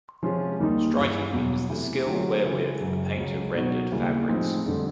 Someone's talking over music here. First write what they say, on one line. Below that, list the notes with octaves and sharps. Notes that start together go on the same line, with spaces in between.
Striking is the skill wherewith the painter rendered fabrics.
C3 F3 G#3 C#4 F4
D#2 D#3 G3 A#3 D#4
G2 E3 G#3
E2 B2 F#3
C3 E3 A3
D3 F#3 A3 C#4 F4
C#3 E3 G#3
F#2 C#3 F#3
C#2 C#3 F#3
B2 F#3 B3 D#4 F#4
D#2 C#3 E3 G3 A#3
A2 F3 G#3 C4 D#4
F2 D3 G3